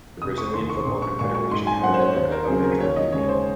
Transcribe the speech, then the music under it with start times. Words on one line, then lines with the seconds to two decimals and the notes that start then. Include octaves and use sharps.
The Brazilian Football Confederation had a replica of the trophy made.
0.22 F1 D#6
0.38 C#6
0.54 D#2 D#3 C6
0.70 C#6
0.86 A#1 C#6
1.02 C#6
1.19 A#2 G#3 C#6
1.35 C#6
1.51 G#2 C6
1.67 G#5
1.83 F#3 A#3 C#4 F#5
1.94 C5
1.99 C#5
2.16 D#2 C5
2.32 A#4
2.47 C#3 F#3 C4 G#4
2.64 A#4
2.81 D#2 C#5
2.96 D#5
3.12 C#3 G#3 C#5
3.24 C#5
3.29 C5